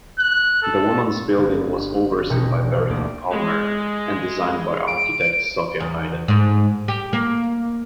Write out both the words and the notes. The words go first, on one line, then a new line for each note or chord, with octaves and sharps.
The Woman's Building was overseen by Bertha Palmer and designed by architect Sophia Hayden.
F#6
A4
G1 A#3
E1 A#1 B2 D#4 G6 C#7
C2
D2 A#3 G4 D5 D6
G#3
D7
E2
G#2
G4
A#3